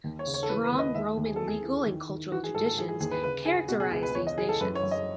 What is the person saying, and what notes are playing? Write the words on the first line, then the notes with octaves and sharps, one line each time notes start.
Strong Roman legal and cultural traditions characterize these nations.
D#2
C#5
C#3
C#5
A4
E3 B4
B4
D#2
D#5
D#2 E5
D#2
G#4
A4
E2
G#4
E3
D#3
D#3
E3 F#4
G#4
G#2 A4
A4
E3 G#4
G#4
D#2 G#4
B4
C#3 B4
C#3 G#4
B2 F#4
G#4
C#2 G#4
B4
E2 C#5
D#5
E3 G#4
A4
F#2 B4
C#5
F#2
D#5